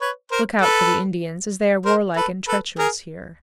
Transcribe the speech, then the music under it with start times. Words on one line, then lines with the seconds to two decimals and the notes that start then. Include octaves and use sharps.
Look out for the Indians, as they are warlike and treacherous here.
0.01 B4 C#5
0.32 A#4 C5
0.62 A4 B4
1.85 A#4 C5
2.16 A4 B4
2.48 A4 B4
2.79 G#4 A#4